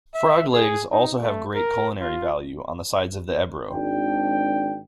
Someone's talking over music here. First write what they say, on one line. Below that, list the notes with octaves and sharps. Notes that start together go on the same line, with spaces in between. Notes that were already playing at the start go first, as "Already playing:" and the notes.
Frog legs also have great culinary value on the sides of the Ebro.
E5
G#4
D#4
A3
A#4
F4
G#1 D4 G5